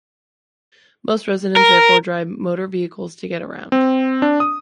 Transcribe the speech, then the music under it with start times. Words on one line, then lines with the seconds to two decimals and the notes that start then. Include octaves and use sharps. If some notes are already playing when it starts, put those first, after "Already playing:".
Most residents therefore drive motor vehicles to get around.
1.56 A#4
3.72 C4
4.22 D4
4.40 D#6